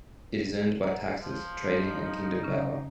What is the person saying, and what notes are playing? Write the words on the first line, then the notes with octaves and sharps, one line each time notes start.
It is earned by taxes, trading and kingdom power.
F#5 A#5
F3
D#4
C#3 C#4